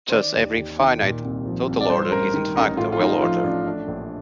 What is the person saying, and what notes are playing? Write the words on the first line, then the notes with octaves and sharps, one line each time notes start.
Thus every finite total order is in fact a well order.
C5
D#3 D5
D#2
D#2
D#3
A#2
C2
F3
C2
D5
G2 C5
C5
A1 A#4
D#3
A1 D#4
A2 F4
F4
A1 D#4
F3 F4
A1 D4
A2 D4
A#1